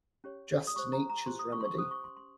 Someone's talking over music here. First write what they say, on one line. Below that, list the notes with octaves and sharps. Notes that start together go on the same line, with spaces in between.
Just Nature's remedy.
C#4 G4 C#5
D#6
G4 C5 C#6
A#5
A#5
G4 C5 C6
D#6
C#6
C6
C#6
C#4 G4 C5 D#6
C#6
C6
C6